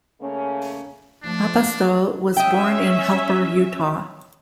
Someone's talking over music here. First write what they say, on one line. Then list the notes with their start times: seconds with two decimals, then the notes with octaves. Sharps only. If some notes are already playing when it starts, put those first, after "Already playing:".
Apostol was born in Helper, Utah.
0.20 C#3 A3 A#3 C#4
1.23 F3 A3 D4
2.37 C#4 D#5 E5 G5